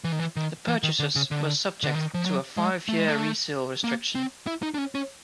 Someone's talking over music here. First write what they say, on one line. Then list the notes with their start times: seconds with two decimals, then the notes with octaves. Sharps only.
The purchases were subject to a five-year resale restriction.
0.04 E3
0.12 D#3
0.20 E3
0.36 D#3
0.68 E3
0.83 D#3
0.99 D3
1.16 C#3
1.31 D3
1.83 D3
1.95 D#3
2.14 F3
2.26 F#3
2.57 G#3
2.89 A3
2.98 G#3
3.08 A3
3.84 A#3
4.15 C4
4.47 E4
4.63 D#4
4.74 D4
4.78 C#4
4.95 C#4